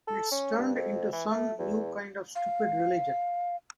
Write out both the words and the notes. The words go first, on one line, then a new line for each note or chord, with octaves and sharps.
It's turned into some new kind of stupid religion...
A4
C#4
G2
F2
E3
A3
E2
F5